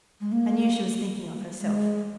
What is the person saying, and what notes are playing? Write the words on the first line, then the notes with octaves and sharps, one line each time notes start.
I knew she was thinking of herself.
G#3
A#3
G#3